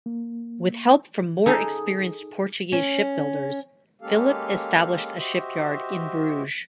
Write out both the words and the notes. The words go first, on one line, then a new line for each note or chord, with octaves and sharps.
With help from more experienced Portuguese shipbuilders, Philip established a shipyard in Bruges.
A#3
D#4 G#4 A4
C#4
G#3 A#3 C#4 G4 A4 F5
F#4 G4 C5 D#5 E5